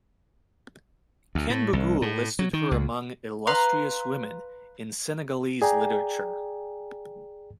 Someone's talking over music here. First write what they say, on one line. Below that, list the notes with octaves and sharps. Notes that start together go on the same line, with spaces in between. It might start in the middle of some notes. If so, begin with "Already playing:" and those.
Ken Bugul listed her among "illustrious women" in Senegalese literature.
D2
A2
C2
A2
F#3
D#3
C#2
B4 F5 A#5 C6
G#4 D5 G5 G#5 A#5